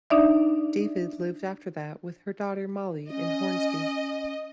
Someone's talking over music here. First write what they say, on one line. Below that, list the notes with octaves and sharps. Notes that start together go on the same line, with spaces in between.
David lived after that with her daughter Molly in Hornsby.
D4 D#4 D5 E5
C#4 D#5